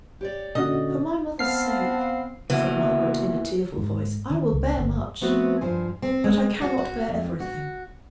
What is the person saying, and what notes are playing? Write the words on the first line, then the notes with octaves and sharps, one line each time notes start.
'For my mother's sake,' said Margaret, in a tearful voice, 'I will bear much; but I cannot bear everything.
G4 C#5 D5
A#2 D3 C#4 F#4 D#5
B3 C4 F5 A5 C7
C#3 E3 A#3 B3 F#4
G#2
D#3
C#2
G1
F3 A3 B3 C4 F#4 B4
G2 F3 C5 G#5
C4
G#3
F#4
F#4
F2
F#4